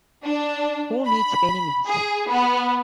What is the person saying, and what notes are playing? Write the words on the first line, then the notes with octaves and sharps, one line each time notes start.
Who Needs Enemies?
D4
B5
G#4
B3